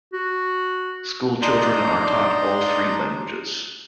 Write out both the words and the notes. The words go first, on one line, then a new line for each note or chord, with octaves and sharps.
School children are taught all three languages.
F#4
D4 D#4 D5 A#5 C6 G6